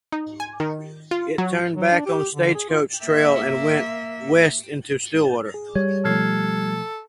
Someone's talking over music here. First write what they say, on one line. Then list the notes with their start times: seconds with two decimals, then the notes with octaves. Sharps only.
It turned back on Stagecoach Trail and went west into Stillwater.
0.12 D#4
0.40 G#5
0.60 D#3
1.11 F4
1.38 F#3
1.77 F#3
1.91 D4
2.06 G4
2.34 D3
2.55 G#4
2.69 F4
3.04 A#3 E5
5.54 G#4
5.75 G3 C#5
6.05 B2 F3 A3 A4 F6 G#6 C7